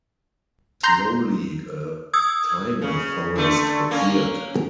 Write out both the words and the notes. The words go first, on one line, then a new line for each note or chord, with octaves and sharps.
Slowly a taiga forest appeared.
A#5 C6 G6
D#6 E6 G#6
C#3
D3 A3
A#3 C#4